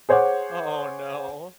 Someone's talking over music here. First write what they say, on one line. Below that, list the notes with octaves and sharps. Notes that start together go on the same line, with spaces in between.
Oh, no.
G#4 C5 C#5 F#5 D6